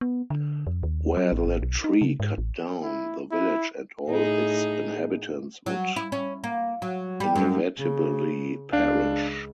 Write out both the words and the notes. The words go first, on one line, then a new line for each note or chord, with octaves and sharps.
Were the tree cut down, the village and all its inhabitants would inevitably perish.
B3
D3
F2
D#2
F#3
A1
G#1
B1
D#4
C#3
G#2
A1
E4
E4
A2 D#4 G#4
F#3
E4
C#4
A#3
F#3
G3
F#2
C#3
C#2 D4 F5